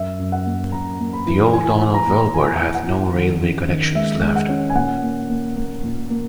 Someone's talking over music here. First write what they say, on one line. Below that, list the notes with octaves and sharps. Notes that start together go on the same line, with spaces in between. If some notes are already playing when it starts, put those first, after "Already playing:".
The old town of Velbert has no railway connection left.
Already playing: F#2 E5
F#2
F#5
A#3
F#2 A#5
A#3
B5
E3
E4 G#5
E4
A#5
A#2
E4 G#5
E4
F#5
E4
D#3
C#4
D#3
G#3 E5
G#3
F#5
C#4
G#5
A#2 F#5
A#3
A#3
A#3
A#2
A#3